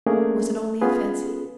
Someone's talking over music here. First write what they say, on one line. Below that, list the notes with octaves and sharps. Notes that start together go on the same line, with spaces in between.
Was it only a fancy?
A3 A#3 C#4 D4 G#4 A#4
B3 C#4 F4 G#4 B4